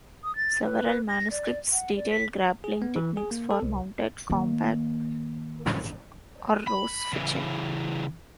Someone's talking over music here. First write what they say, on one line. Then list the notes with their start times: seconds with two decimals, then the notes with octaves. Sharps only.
Several manuscripts detail grappling techniques for mounted combat or "rossfechten".
0.24 D#6
0.36 A6
0.64 B4
1.09 A#6
1.31 D5
1.72 F#5
1.97 D5
2.11 B6
2.64 G#4
2.82 B3
2.96 E3
3.17 G#4
3.31 A#3
3.51 A4
3.63 C2
4.30 D#3 A#3
6.68 B5
7.13 C#3 E3